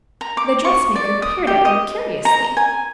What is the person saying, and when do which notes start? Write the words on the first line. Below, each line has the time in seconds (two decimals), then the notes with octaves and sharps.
The dressmaker peered at him curiously.
0.21 A#5
0.37 D6
0.65 C#6
0.96 D5
1.22 D#6
1.47 G4
1.65 D#5
2.25 A#5
2.57 G#5